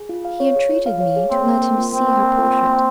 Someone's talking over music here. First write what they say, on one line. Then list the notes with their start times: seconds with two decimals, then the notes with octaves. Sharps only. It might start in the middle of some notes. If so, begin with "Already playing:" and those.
He entreated me to let him see her portrait.
Already playing: G#4
0.09 F4
0.25 F5
0.40 C#5
0.55 G#4
0.71 F4
0.86 F5
1.00 C#5
1.16 G#4
1.31 A#3 C4
1.47 A#3
1.62 A#4
1.77 F4
1.93 A#3 C4
2.08 A#3
2.23 A#4
2.38 F4
2.54 A#3
2.69 A#3